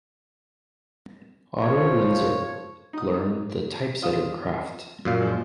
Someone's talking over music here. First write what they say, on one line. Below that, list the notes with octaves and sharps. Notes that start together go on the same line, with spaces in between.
Otto Winzer learned the typesetter craft.
F3 C#5
D#4 D#6
F4 D#6
F#2 A#2 F5
F3 G#3